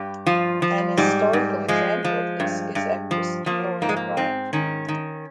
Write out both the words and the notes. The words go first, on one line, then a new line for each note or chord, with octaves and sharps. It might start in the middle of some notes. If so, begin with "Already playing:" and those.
An historical example of this is actress Gloria Grahame.
Already playing: G2 G4
F3 F4
F3
G#2 G3
G#2
F3 G#3
F3
G2
G2
F3
F3 A#3
G#2 A#3
G#3
A#3
G#2 C4
D#3 C#4
D#3